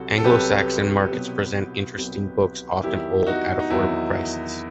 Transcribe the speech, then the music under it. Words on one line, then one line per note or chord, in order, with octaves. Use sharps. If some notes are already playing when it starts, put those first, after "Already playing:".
Anglo-Saxon Markets present interesting books, often old at affordable prices.
Already playing: C2 C3 F#3 F#4 A4
A4
C2 C3 F#3 G4 B4
C2 B2 F#3
C2 B2 F#3
E2 D#3 F#3 E4 G4
D#4 F#4
D#4
E2 D#3 F#3 E4